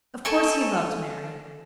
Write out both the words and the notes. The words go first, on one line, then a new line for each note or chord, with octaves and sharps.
Of course he loved Mary.
A4 G#5 C#6